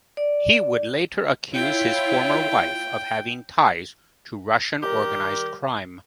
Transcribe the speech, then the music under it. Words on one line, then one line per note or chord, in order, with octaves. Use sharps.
He would later accuse his former wife of having ties to Russian organized crime.
D5
E4 F4 C#5 G5
D#3 G3 G4 A#4